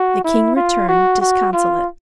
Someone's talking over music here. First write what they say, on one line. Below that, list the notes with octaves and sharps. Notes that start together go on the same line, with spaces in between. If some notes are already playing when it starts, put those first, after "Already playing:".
The king returned disconsolate.
Already playing: F#4
E4
F4
F#4
F#4
F4